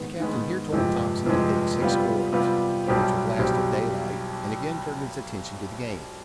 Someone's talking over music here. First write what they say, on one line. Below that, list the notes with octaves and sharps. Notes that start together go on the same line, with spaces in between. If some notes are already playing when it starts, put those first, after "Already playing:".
The Captain here told Thompson to take six cords, which would last till daylight--and again turned his attention to the game.
Already playing: G#2 D#3 G#3 B3
G#2 D#3 G#3 B3
G1 F2 C3 F3 G#3
G1 F2 C3 F3 G#3
C3 G3 B3 F4
C3 G3 B3 F4
B1 B2 G3 C4 G4
B1 B2 G3 C4 G4